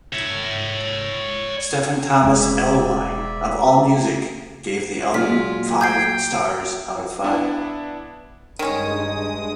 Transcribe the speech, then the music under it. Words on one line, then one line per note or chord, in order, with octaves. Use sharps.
Stephen Thomas Erlewine of AllMusic gave the album five stars out of five.
C#5 E5
E1 E2 G#3 D5 E5 B5
A#2 F#3 G#3 C#4 F4 F6 B6
G5 G6 G#6 C7
B3 D4 E4
G2 D#3 G#3 C#4 D#6